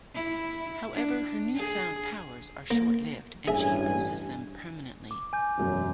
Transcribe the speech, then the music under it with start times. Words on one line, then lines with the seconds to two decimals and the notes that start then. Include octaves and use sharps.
However, her new-found powers are short-lived, and she loses them permanently.
0.15 E4
0.94 D4
1.56 G#4
2.71 A#3
3.48 A1 G2 G#4 E5 G#5
5.11 D6
5.33 G#5 G6
5.58 E1 F#2 F#3